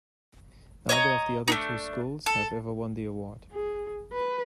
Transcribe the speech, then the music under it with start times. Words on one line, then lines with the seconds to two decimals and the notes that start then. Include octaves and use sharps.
Neither of the other two schools have ever won the award.
0.89 C#5 D#5 E5 A#5
1.48 A3 D4 D#4
2.26 A4
3.52 G#4
4.13 B4